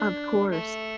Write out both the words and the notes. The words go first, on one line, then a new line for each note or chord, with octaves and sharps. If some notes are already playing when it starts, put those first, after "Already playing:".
Of course.
Already playing: D4
A3